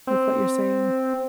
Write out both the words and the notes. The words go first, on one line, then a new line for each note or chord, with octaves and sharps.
with what you're saying.
C4